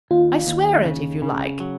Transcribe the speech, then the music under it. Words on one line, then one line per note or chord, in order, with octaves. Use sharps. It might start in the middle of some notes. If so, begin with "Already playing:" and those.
I swear it, if you like.
D#2 F4
D#2
C#3
C#3
F#3